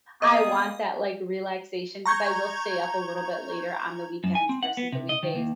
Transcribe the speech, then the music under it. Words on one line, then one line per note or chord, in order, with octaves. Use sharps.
I want that, like, relaxation 'cause I will stay up a little bit later on the weekends versus the weekdays.
A#3 B3 G#4 D#5
A#5 C#6 G6 G#6
F#2
G#5
C4
F#5
B3
C3
D#5
D#3
D#2